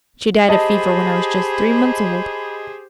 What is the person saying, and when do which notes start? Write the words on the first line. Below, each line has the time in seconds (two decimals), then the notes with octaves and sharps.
She died of fever when I was just three months old.
0.49 G4 G#4 C5 D#5 A5 B5